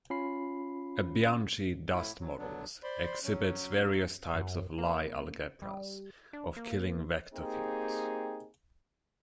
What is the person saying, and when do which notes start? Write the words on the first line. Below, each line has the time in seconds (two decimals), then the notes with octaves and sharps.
A Bianchi dust models exhibits various types of Lie algebras of Killing vector fields.
0.10 C#4 F4 B5 C7
1.93 A2 E4
2.19 F#3
2.37 D3 F#3 B3 D4
2.83 C5 D5 B5 C6
3.24 F#3 C#4
4.34 F#2
4.78 A#3
5.62 G3
6.33 D4
6.56 A#3
7.33 A#3 C4 D#4 G4 G#4